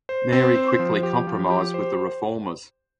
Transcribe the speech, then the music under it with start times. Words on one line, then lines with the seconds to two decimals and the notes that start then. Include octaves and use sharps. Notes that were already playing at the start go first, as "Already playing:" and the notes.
Mary quickly compromised with the reformers.
0.09 C5
0.33 C4
0.55 C5
0.79 F3
1.03 G4
1.27 F3
1.50 G4
1.74 C5